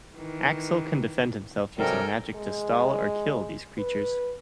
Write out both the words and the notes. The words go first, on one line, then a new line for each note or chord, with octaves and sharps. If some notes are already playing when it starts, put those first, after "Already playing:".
Axil can defend himself using magic to stall or kill these creatures.
D#3 E3
C3 F#3 G3 A4 A#4 G5 G#5
G#3
B4